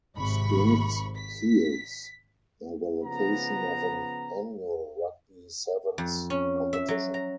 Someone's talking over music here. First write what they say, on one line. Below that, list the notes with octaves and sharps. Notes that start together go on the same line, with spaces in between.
Sports fields are the location of an annual Rugby sevens competition.
G#1 C3 B5 C#6
B6
C#3 F3 B3 A#5
F2
C#4
E5
F#3
A#5